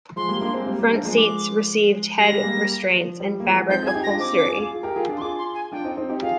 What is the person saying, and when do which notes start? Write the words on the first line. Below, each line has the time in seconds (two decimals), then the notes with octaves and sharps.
Front seats received head restraints and fabric upholstery.
0.16 F3 G#3 C6
0.28 G3 A#3
0.41 A#3 D4
0.54 G#3 C4
0.66 G3 A#3
0.79 G3 A#3
0.92 A#3 D4
1.04 F3 G#3
1.17 D6
2.18 G3 A#6
2.31 G#3
2.43 G3 A#3
2.95 F3
3.20 G3
3.40 A#3
3.45 F3 G#3
3.69 C4 D#4 G6
3.83 F4 G#4 G#6
3.95 D#4 G4
4.03 A#6
4.08 D4 F4
4.20 C4 D#4 D6
4.33 D4 F4
4.45 F4 G#4
4.58 F4 G#4
4.71 F4 G#4
4.83 G4 A#4
4.96 F4 G#4
5.09 D4 F4
5.17 C6
5.21 F4 G#4 D6
5.38 C6
5.54 G#5
5.72 D4 F4 G5
5.84 C4 D#4
5.97 C4 D#4
6.09 D#4 G4
6.22 F4 G#4 F5